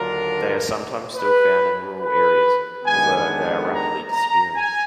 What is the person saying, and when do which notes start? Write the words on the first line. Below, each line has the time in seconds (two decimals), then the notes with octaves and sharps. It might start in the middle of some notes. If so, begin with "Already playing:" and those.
They are sometimes still found in rural areas, although they are rapidly disappearing.
Already playing: D#2 D3 F#3 D4 F4 A#4
1.14 B4
1.99 B4
2.84 D#2 D#3 G#3 B3 D4 G#5
3.70 A#5
4.12 A#5
4.55 G#5